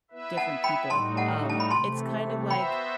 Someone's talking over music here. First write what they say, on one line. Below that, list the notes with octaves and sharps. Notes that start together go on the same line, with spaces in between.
different people, um, it's kind of, like
B3 E4 B4 E5
F#5 A5
G5 B5
A2 G3 D#4 F#4 A5 C6
F#5 A5
A5
B5
C3 E3 A3 A5 C6
B3 F#4 C5 E5 G5 B5